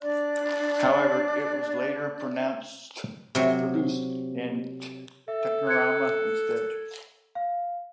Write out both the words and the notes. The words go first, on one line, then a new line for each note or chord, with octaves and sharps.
However, it was later produced in Technirama instead.
D4 D5 F#6
C3 F#3
A4 E5
F#6 G#6 C#7
F5